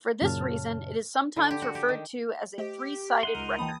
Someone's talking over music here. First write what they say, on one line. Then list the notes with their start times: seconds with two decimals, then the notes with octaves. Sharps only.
For this reason it is sometimes referred to as a "three-sided" record.
0.22 F#2 A#2 C#3 C#5 A5 F6
1.36 D3
1.51 G4
1.62 F#4
1.75 G4
1.89 D#3
2.58 A3 G4 C5 D#5
3.23 D#4 E5 F#5 C6
3.35 C#2 A#4
3.59 E3 A#3 G5 A5 B5 D#6